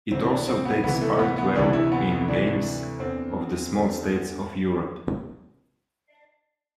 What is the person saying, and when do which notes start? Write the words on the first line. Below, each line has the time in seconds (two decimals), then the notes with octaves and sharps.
It also takes part well in Games of the Small States of Europe.
0.12 D2 C3 E3 C4
0.30 D4
0.48 C4
0.65 B3
0.83 D2 C3 E3 B3
1.02 A3
1.13 A3
1.19 B3
1.38 B3
1.55 D2 C3 E3 D4
1.73 E4
1.92 B3
2.10 B3
2.28 D2 C3 E3 D4
2.99 E2 D3 C4
3.72 E2 D3